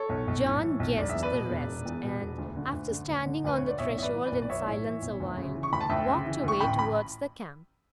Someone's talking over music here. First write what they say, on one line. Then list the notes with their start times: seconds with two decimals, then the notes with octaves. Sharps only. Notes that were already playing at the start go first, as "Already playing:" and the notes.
John guessed the rest, and, after standing on the threshold in silence awhile, walked away towards the camp.
Already playing: A4 C#5
0.09 B1
0.27 B1
0.45 A2
0.62 E3
0.80 B1
0.97 E1 D5
1.09 E5
1.15 E2
1.22 B4 D5
1.32 B2
1.50 E1
1.67 E1
1.86 E2
2.04 B2
2.21 E1
2.38 D2
2.56 D3
2.73 D2
2.90 D3
3.09 D2
3.26 D3
3.44 D2 B4
3.57 D3 C#5
3.68 D5
3.78 B1 C#5 E5
3.96 A2 E5
4.02 B4 D5
4.14 E3
4.25 B4 D5
4.32 B1
4.42 D5
4.49 B1 C#5 E5
4.66 A2
4.85 E3
5.02 B1
5.20 D2
5.37 C#3
5.55 E3
5.63 C#6
5.73 D2 B5
5.81 A5
5.90 D2 E5 G5
6.07 C#3
6.25 E3
6.43 D2 C#6
6.60 A1 G5 B5
6.79 B5